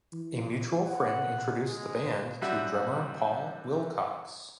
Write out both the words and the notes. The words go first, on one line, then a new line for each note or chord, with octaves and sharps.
A mutual friend introduced the band to drummer Paul Wilcox.
E3
F#5
G#3
F#2 G3 F#4 E5